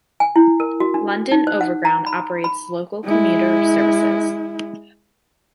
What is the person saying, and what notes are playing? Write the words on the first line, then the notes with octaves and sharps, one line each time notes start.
London Overground operates local commuter services.
G#5
E4
A#4
F#4
D4
D#4
C5
F#5
A#5
B5
B5
G#3 E4